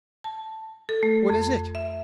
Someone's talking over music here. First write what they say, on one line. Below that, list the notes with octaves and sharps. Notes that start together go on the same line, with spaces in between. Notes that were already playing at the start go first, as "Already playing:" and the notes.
"What is it?"
A5
A4
A3
F2
E5